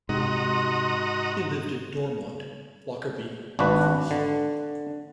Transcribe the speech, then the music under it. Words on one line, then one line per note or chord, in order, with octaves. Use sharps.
He lived at Dormont, Lockerbie, Dumfries.
G#2 C3 F#4 G4 D#5 A#5 C6
G#1 D4 F#4 B4
D3